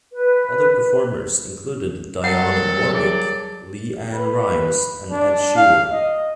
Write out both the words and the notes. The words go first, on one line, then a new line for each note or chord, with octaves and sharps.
Other performers included Dionne Warwick, LeAnn Rimes and Ed Sheeran.
B4
D2 F#3 G3 A4 A#4 F#5 A5
G#4 D5
B4
D4
F5
D#5